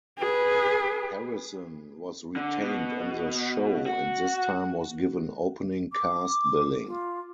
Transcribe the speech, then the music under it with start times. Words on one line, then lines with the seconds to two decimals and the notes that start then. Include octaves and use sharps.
Harrison was retained on the show and this time was given opening cast billing.
0.19 G#4 B4
2.36 D3
2.62 B2
3.86 F#4
5.93 D6
6.87 F4